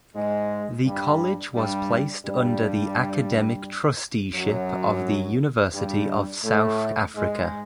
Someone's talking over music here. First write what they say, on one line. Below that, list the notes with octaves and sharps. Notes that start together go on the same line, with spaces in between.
The College was placed under the academic trusteeship of the University of South Africa.
G#2 G#3
G2 G3
G2 G3
G2 G3
F#2 F#3
G2 G3
A2 A3
G#2 G#3